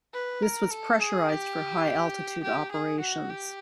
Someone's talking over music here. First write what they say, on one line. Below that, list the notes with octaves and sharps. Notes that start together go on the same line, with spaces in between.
This was pressurised for high-altitude operations.
B4
A#4
A4
G#4
G4
G4
G#4
F#4
G4